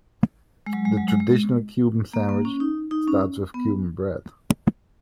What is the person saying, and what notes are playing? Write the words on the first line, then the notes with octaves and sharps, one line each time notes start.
The traditional Cuban sandwich starts with Cuban bread.
G#3
F#3
G#3
F#3
G#3
G#3
A#3
A#3
C#4
D#4
D#4
C#4
B3